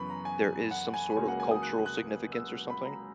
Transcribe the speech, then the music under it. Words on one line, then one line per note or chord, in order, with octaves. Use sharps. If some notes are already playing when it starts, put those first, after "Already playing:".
there is some sort of cultural significance or something,
Already playing: F#2 C#3 E3 B3 B5 C#6
A#5
G#5
F#5
G#5
C#2 C#3 F#3 A#3 G#5
F#5
G#5
D#6
F#6
F#6
E6
B5
A#5